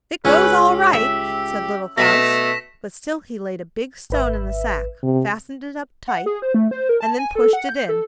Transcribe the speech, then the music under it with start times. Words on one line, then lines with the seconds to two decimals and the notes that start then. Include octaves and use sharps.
'It goes all right!' said Little Klaus; but still he laid a big stone in the sack, fastened it up tight, and then pushed it in.
0.25 C#2 C#4 F4 B4 E6
0.62 G4
0.93 E5
1.98 B2 A3 A#6 B6 E7
4.10 G#1 B4 E5
5.03 C3
6.08 F#5
6.26 G#4
6.42 C5
6.54 A3
6.71 C5
6.89 A#4
7.01 A5
7.18 G#5
7.35 A4
7.53 F#5
7.69 G6
7.89 A4